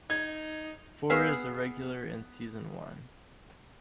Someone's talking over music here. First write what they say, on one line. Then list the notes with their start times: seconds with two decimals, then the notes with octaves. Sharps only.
Ford is a regular in season one.
0.10 D#4 G#6
1.10 B3 G#4 E5 F5